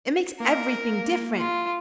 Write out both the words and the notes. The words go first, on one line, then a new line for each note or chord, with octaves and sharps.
It makes everything different.
A#3 A#4
F4